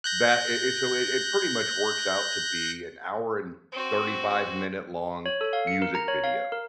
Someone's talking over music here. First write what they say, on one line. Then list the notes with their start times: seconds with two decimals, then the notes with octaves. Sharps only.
that it it's a way it pretty much works out to be an hour and thirty-five-minute-long music video.
0.04 F#6 G6 A#6
3.72 C4 F#4
5.26 C#5
5.41 A4
5.53 F5
5.67 C#7
5.82 A#4
5.95 A#5
6.08 C#5
6.24 F5
6.52 A#4